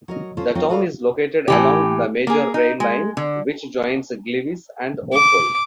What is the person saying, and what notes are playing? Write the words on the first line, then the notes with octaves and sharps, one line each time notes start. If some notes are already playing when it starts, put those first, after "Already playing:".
The town is located along the major rail line which joins Gliwice and Opole.
F#3 A#4 D#5
C#4 F4 A4 C5
F#3 C4 D#4 F4
F#4 A4 B4 D5 F5
A2 E3 G4
A#3 G#4
D#4
G#3
D3
D6